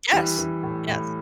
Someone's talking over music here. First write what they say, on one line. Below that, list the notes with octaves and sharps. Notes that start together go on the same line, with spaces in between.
Yes, yes.
E3 G3
E3
A2
A2